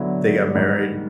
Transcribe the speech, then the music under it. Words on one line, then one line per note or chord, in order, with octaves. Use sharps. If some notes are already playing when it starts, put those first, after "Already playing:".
they got married.
Already playing: D3 F#3 B3 E4
G#2 D#3 G3